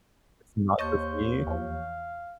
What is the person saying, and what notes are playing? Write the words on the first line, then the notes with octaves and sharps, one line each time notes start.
not just me."
D#2 C5 C#5 D#5 A5 C#6 G6
E2 F3 F5